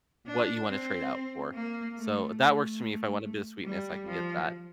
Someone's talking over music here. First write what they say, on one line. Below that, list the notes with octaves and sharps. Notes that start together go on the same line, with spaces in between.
what you wanna trade out for. So that works for me, if I want a bit of sweetness, I can get that,
D4
C4
A#3
A3
A3
G3
F3